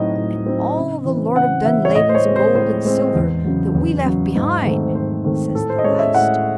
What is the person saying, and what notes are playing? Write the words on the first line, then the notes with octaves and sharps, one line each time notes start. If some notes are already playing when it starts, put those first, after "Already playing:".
"And all the Lord of Dunlavin's gold and silver that we left behind," says the last.
Already playing: A2 F#3 C4 D#4 D#5
A2
F#3 C4 D#4
C#3
E3 C4
C#3 F#5
E3 C4 E5
C#5
A2 D#5
C5
C#5
G#3 C4
C5
A2 C5
G#3 C4
E2
C#3 F#3
E2
C#3 F#3
G#2
D#3 A3 C4
G#2 C5
D#3 A3 C4
A2 A4
C5
D#5
G#3 C#4 C#5
E5
A2 F#5